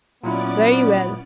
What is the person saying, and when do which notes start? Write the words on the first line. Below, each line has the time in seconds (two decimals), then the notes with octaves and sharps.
'Very well.
0.24 A#2 F#3 B3 C#4 E4 D5